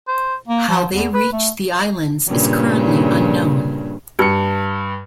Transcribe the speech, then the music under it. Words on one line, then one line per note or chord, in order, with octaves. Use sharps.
How they reached the islands is currently unknown.
C5
A#3
F3
E2
B4
A3
G2 A#2 C#3
G2 C#7